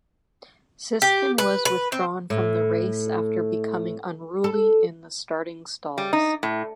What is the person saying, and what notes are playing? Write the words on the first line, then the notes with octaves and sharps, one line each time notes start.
Siskin was withdrawn from the race after becoming unruly in the starting stalls.
G4
B4
B4
C4
A2
A4
G3
D#4
A2